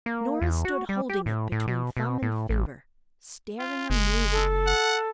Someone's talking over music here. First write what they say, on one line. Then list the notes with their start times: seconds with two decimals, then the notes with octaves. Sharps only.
Norah stood holding it between thumb and finger, staring amazedly.
0.06 A#3
0.42 E2
0.65 F#4
0.89 G3
1.09 G4
1.26 A2
1.52 A2
1.68 B2
1.97 B2
2.22 A2
2.49 A1
3.59 F4
3.90 F#1 G#3
4.31 A4
4.67 F#5